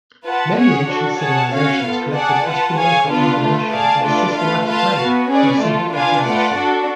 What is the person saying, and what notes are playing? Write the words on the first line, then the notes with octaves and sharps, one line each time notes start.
Many ancient civilizations collected astronomical information in a systematic manner through simple observation.
F4 B4 F#5 A5
C#4 G#4 C#5 F#5
D4 F#4 A4
G#4 C#5 F#5 A5
C#4 F#4 C#5 F5
B3 F4 A4
G#4 D5 F#5 A5
F4 B4 F#5 A5
G#4 C#5 F5 G#5
B3 D4 F4 B4 F5
A3 F4 B4
G#4 D5 F5 A5
A3 D4 F4 B4 D5
A3 F4 B4 F5
F4 B4 F5 A5
B3 F#4 B4
C#4 G#4 B4 D5
A3 F4 A4
D4 F4 B4 F5 G#5
A3 F4 B4 D5 F#5
D4 F#4 A4